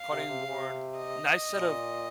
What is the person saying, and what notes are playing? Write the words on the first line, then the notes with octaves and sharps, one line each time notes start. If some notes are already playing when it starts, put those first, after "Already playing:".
cutting board, nice set of
Already playing: F5
C3
C3
C3
D#5
A#2